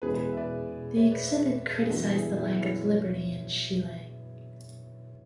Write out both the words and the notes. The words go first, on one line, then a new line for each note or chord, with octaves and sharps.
The exhibit criticized the lack of liberty in Chile.
E2 B2 G#3 C#4 E4 G#4 B4
G#4 B4
E5
B4 D5
C#5 E5
B4 D5
C#5 E5
B4 D5
B4
A4
G#4 B4
F#2 E3 B3 D4 F#4 A4
E4 G#4
E4 G#4
F#4
C#4 E4
C#4